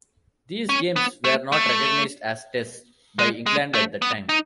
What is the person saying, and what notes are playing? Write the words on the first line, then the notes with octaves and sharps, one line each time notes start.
These games were not recognised as Tests by England at the time.
C#4
B3
A3
A3
G#3
G#3
A3
B3
D#4